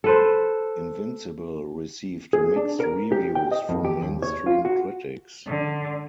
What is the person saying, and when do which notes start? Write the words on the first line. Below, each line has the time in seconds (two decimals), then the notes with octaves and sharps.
"Invincible" received mixed reviews from mainstream critics.
0.04 A4 B4 C5
2.33 G#4
2.56 D4
2.80 A#4
3.12 G4
3.35 G5
3.51 D#5
3.69 F2
3.85 G4
4.02 D#2
4.22 C#5
4.47 F4
4.65 F#4
5.47 D3